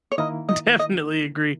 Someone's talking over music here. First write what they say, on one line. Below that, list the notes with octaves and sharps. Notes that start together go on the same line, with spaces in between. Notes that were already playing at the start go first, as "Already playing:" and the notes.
definitely agree.
C#5
D#3 A#3 E4 A#4 D#5
D#5
D#5